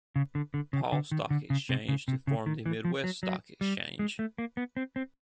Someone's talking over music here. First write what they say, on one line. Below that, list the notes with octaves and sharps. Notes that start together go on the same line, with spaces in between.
Paul Stock Exchange to form the Midwest Stock Exchange.
C#3
D3
D3
C#3
D3
D#3
D3
C#3
C3
C#3
C3
C#3
D#3
E3
F3
F#3
F#3
G3
G#3
A3
A#3
B3
C4
C4